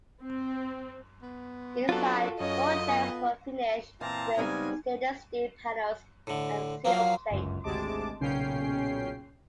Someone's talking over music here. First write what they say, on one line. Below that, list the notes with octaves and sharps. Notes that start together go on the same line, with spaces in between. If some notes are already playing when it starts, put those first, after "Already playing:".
Inside doorjambs were finished with stainless steel panels and sill plates.
C4
B3
F#3 C4 D4 F4 F#4 A4
F#2 C#4 D#5
B3
A#2 E3 A#3 C4 A5 A#5
C#3 G3 G#3 B3 C4 D#4 G#5
A2 D3
F3 F#3 A#3 F5
G1 C#2 F#2
G#1 D2 C3 G#3 A5 D6
B1 A#2 C#3 C#4 G5 C7